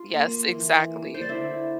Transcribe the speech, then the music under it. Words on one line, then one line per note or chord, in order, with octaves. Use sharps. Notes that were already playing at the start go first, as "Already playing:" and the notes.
Yes, exactly.
Already playing: F4
A#3
E3
A#3
C5
D5
D3 E4 E5